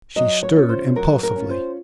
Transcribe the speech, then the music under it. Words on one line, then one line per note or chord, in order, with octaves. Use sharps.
She stirred impulsively.
F#3 D#5
C#5
C#4 F4
C5
F#3 A#4
A#4
C#4 F4
C5